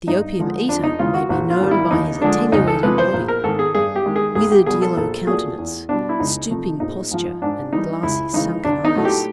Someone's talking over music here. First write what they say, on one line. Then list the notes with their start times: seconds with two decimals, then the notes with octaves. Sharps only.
The opium-eater may be known by his attenuated body, withered yellow countenance, stooping posture, and glassy, sunken eyes.
0.07 G2 D#4
0.39 D3 F3 G#3
0.69 F2 D4
0.83 D#4
0.99 C#3 E3 G#3 F4
1.14 F#4
1.29 A#1 F#4
1.50 F4
1.60 G#2 D#3 G3
1.71 E4
1.91 D#2 D#4
2.21 D3 F3 G#3 D4
2.52 C#2 D#4
2.68 A4
2.83 C3 F3 G#3 B4
2.98 C5
3.13 A#1
3.28 A#4
3.44 G#2 D#3 A4
3.59 G#4
3.75 G2 G#4
3.96 G4
4.06 D#3 G#3
4.16 G#4
4.35 B1 G#4
4.51 G4
4.66 B2 G3 G#4
4.82 A4
4.97 A#1 A4
5.27 A#2 F#3 A3 G#4
5.58 E2
5.89 B2 G3 D4
6.09 E4
6.20 C#2 D#4
6.50 C3 F3 A3
6.80 A#1 D#4
7.11 G#2 F3
7.42 G#2 D4
7.73 E3 G3 D#4
8.03 C#2 E4
8.33 C#3 E3 G#3 D#4
8.64 B1 D4
8.84 D#4
8.95 A2 F#3 A3
9.05 G4